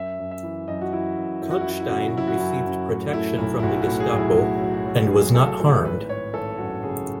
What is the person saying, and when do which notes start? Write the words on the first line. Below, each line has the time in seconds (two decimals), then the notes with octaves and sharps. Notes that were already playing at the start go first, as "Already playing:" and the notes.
Kalkstein received protection from the Gestapo and was not harmed.
Already playing: F#2 E5
0.19 F#2
0.31 E5
0.43 E3
0.67 F#2 D#5
0.81 F#4
0.92 E3 E4
1.17 F#2
1.41 F#2 E4
1.50 F#4
1.61 E4
1.65 F#2 F#4
1.80 E4
1.89 C#3 F#4
1.99 E4
2.08 F#4
2.15 F#2 E4
2.27 F#4
2.37 F#2 E4
2.65 F#2
2.89 A2 F#4
3.13 A3 E4
3.38 B1 E4
3.59 E4
3.63 B1 F#4
3.82 F#4
3.87 A2
4.00 G#4
4.12 B1
4.18 E4
4.36 A3 F#4
4.61 F#3
4.74 F#4
4.86 F#3
5.11 F#3 G#4
5.35 A3 A4
5.60 A2 A4
5.84 G#1 B4
6.09 G#1 C#5
6.34 G#1 A4
6.58 F#2 F#4
6.83 C#3 G#4